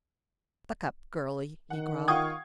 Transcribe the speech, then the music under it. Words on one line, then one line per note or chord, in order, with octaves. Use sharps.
"Buck up, girlie!" he growled.
D#3 F#5
F4 F#5 G5 C#6 D#6 G#6